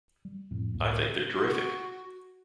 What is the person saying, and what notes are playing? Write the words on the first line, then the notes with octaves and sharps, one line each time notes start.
I think they're terrific.
G3
F2 A2
C#2 A2 A#3
F#4